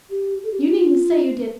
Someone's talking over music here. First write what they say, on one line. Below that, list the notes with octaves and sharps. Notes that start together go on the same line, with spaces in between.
You needn't say you did.
G4
A4
G4
F4